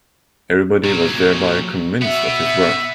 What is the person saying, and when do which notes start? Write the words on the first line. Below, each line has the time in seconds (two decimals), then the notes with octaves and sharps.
Everybody was thereby convinced of his worth.
0.84 A#2 F#3
2.02 B3 F#4 E5